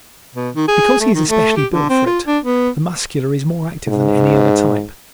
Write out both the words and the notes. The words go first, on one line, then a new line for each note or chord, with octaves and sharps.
Because he is especially built for it the Muscular is more active than any other type.
B2
D#3
G#4
A3
D#3
A3
G4
D3
C4
F4
D4
B3
G#2